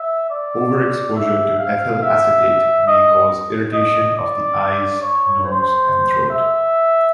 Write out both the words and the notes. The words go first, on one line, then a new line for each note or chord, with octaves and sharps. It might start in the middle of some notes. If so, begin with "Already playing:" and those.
Overexposure to ethyl acetate may cause irritation of the eyes, nose, and throat.
Already playing: E5
D5
E5
F5
E5
D#5
D#5
D5
C#5
C5
E5